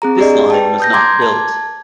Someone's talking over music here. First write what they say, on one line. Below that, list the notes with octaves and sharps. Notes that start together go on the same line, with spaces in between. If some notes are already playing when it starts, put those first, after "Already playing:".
This line was not built.
C4 G#4 A#5
D4 G4 G#4 D5 D#5
B4 G5 A5
D#6 G6 A#6
A#5 C6 D6 G#6
A5 G#6